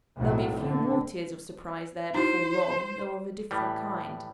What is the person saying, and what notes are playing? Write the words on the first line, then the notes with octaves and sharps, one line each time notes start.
There'll be a few more tears of surprise there before long, though of a different kind.
B1 F2 A2 F#3
D3
D#4 E4 F#4 C5
A2 E3 G3